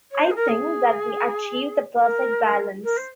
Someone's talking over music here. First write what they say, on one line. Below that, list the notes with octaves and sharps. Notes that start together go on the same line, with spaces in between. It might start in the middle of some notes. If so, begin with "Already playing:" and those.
I think that we achieved the perfect balance.
C#5
C5
G#4
A#4
G#4
A#4
A#4
C5